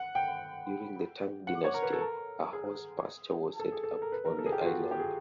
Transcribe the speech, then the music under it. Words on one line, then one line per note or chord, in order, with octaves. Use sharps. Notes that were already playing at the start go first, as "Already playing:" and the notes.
During the Tang Dynasty, a horse pasture was set up on the island.
Already playing: F#5
G5
F#5
C#5
A#4
B4
A4
A#4
G#4
A4
G#4
A4
A#4
B4
A#4
A4
G#4
G4
F4
F#4
G4
G#4